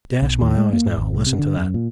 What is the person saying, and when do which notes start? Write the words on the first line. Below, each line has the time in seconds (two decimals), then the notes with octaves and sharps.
'Dash my eyes now; listen to that!
0.22 B1
0.41 D#2
0.57 G#3
0.73 A#3
0.86 G#2
0.98 G#1
1.14 C2
1.27 C3
1.39 D3
1.57 F#2
1.74 A#2